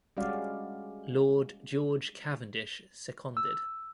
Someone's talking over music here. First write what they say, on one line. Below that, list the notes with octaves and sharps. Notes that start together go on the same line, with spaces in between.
Lord George Cavendish seconded.
G3 G#3 C#4 F#4 D5 F5
E6